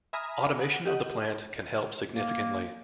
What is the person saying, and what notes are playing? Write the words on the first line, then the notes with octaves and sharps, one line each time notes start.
Automation of the plant can help significantly.
E5 G#5 A#5 B5 D#6 F6
F#5
G4 D#5 F#5
A#3